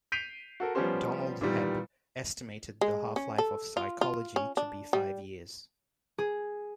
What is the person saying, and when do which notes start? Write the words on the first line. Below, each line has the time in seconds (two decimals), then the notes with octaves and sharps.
Donald Hebb estimated the half-life of psychology to be five years.
0.12 G6 B6 C7 D7 D#7 F7
0.60 F#4 A4 A#4
0.75 F3 G3 B3 C#4 G4 C5
1.41 A#2 D#3 E3 G3 B3
2.81 G#3
3.16 C#4
3.38 A4
3.77 F4
4.01 F4
4.36 C#4
4.57 D4
4.93 G3
6.18 G#4